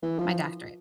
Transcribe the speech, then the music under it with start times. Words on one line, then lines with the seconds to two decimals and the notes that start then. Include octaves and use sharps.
my doctorate,
0.03 E3
0.19 F3